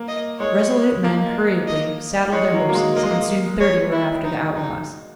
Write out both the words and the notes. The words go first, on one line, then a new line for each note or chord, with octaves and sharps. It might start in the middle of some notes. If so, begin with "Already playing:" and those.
Resolute men hurriedly saddled their horses, and soon thirty were after the outlaws.
Already playing: A#3
D#5
G#3 C#5
A#3
D#5
G#3 C#5
F#3
A#3
G#3
A#3 D#5
G#3
A#3
C#5
E4
D#4
D#4